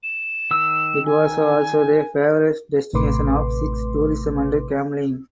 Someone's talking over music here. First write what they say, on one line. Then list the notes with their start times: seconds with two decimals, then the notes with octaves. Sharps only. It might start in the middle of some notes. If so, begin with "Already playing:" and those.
It was also the favorite destination of sex tourism and gambling.
0.03 E7
0.51 D#3 E6
1.06 G#5
2.94 A1 C3 A3 B4 C6 D6